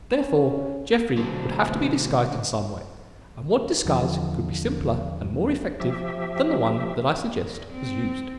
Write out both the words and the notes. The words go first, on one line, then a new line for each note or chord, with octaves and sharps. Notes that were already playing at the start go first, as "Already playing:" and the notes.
Therefore Jeffrey would have to be disguised in some way; and what disguise could be simpler and more effective than the one that I suggest was used?
C#4
B2 D3 F#3 A3 C5
E2 D3 F3
F3 G4 E5
E2
C4